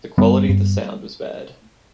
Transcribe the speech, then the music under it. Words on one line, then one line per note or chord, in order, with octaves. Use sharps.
The quality of the sound was bad.
G2 G3 B3
G2